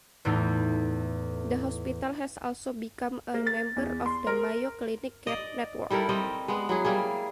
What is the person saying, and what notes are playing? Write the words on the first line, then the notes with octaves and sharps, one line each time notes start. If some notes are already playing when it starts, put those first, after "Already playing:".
The hospital has also become a member of the Mayo Clinic Care Network.
E2 A2 E3 A3 D#4 G6
A#3
A6
E2
C6
A#4
D5 D#5
G3 E4 A4 A#4
G3 C4 D#5
G#3 B3
F#3 E4 G#4
G3 A#3 G#4